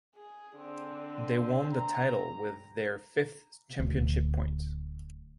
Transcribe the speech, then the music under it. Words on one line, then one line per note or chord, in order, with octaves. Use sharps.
They won the title with their fifth championship point.
G#4
D3 C4
A#5
D1 D2